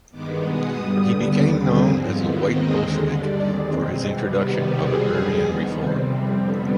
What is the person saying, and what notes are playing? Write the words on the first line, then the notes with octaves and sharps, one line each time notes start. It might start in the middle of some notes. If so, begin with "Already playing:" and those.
He became known as a "white Bolshevik" for his introduction of agrarian reform.
G2 D#3 G#3 B3 D6
B2 G#3 B3 D#6
G2 D3 G3 D#6
D#2 D3 G3 B3 D#6
D#2 D3 G3 C4 D6
G#2 F3 C4 G#5
F2 D#3 B3 F5
D#2 D#3 G#3 C4 D#5
D#2 D3 G#3
G2 D3 G3 D5
D#2 D#3 G#3 C4
B2 G#3 C4
C3 G3 B3
C3 D#3 G3 B3 B4
B2 G3 C4 G#4
D#2 D3 G3 G#4
F2 D#3 B3
C3 G3 C4 B4
F2 C3 G3 C4
F2 D3 G3 B3